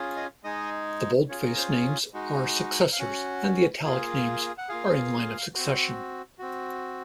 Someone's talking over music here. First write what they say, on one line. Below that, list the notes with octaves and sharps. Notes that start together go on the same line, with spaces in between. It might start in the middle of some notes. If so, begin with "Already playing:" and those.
The boldface names are successors, and the italic names are in line of succession.
Already playing: C#4 F4 G#4
D#5
G#3 D#4 G#4 D#5
C#4 F4 G#4 C#5
A#4
C5
G#3 D#4 F#4
F5
C#4 F#4 F#5
A#3 F4 G#4
F#5
A#3 F4 G#4 F5
C4 F#4
C4 F#4